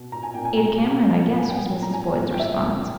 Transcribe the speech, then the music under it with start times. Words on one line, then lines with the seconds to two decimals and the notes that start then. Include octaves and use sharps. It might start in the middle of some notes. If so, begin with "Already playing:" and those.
"Ada Cameron, I guess," was Mrs. Boyd's response.
Already playing: B2
0.12 A#2 A#5
0.23 G#5
0.34 A#2 G5
0.45 G#5
0.57 B2 A#5
0.80 B2
1.03 A#2
1.26 A#2
1.38 G#5
1.49 A#2 G5
1.71 A#2
1.82 A#5
1.94 A#2 G#5
2.17 A#2
2.33 G5
2.39 A#2 E5
2.62 A#2